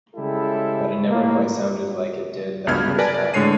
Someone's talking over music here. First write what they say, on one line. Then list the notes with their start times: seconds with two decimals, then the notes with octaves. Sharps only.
But it never quite sounded like it did that first time.
0.16 C#3 G3 G#3 E4 G4 A4
1.10 A2 A#3
2.67 C#2 G2 F#3 B3 F6 G#6
2.84 C#3 G3
2.98 A#4 B4 D5 G#5 A5
3.14 D5
3.34 A2 D3 G#3 C#5 C7 D#7